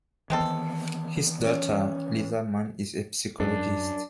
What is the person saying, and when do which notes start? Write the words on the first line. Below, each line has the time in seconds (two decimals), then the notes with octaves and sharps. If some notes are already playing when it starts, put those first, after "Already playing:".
His daughter, Lisa Mann, is a psychologist.
0.30 D#3 E3 G#3 B3 C4 A4
1.46 C#4
3.40 F#2 D4